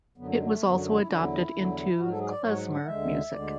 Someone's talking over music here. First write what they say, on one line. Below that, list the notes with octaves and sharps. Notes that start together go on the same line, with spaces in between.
It was also adopted into Klezmer music.
F#2 D3 F#3 B3
A3
G#3
A3
F#2 D3 F#3 B3
F#4
E4
E2 D3 F#3 D4
E4
E2 D3 F#3
G#2 F#3 F#4
A4
G#4
D5
G#2 F#3 C#5
F#5
F#5
D2 D3 G#3 E5
D2 D3 G#3 D5